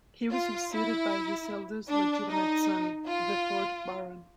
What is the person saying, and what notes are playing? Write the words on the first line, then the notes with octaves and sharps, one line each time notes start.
He was succeeded by his eldest legitimate son, the fourth Baron.
F4
E4
D4
D#4
F4